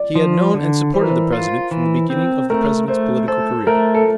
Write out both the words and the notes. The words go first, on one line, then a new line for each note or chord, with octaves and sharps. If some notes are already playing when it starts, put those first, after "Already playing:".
He had known and supported the President from the beginning of the President's political career.
Already playing: D5
F3
D3
E3 C5
A#4
C5
F4
E3
C4
A3 A#4
A3 C5
A4 C5
A3 A#4
A4